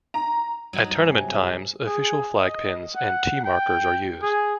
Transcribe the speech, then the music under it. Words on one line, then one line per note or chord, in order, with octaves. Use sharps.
At tournament times, official flag pins and tee markers are used.
A#5
G2 F#3 D#4
C3 G#4
G#4
D#5
F#5
G5
G#4